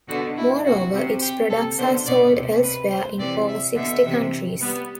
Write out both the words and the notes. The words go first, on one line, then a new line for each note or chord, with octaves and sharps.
Moreover its products are sold elsewhere in over sixty countries.
B2 D3 F#4
E4
C3 F#4
C3
G4
C3 A4
B2 D3 C5
B2 D5
C3
B4
C5
C3 E3 D5
E5
B2 D3 E5
C3 E3
G3 B3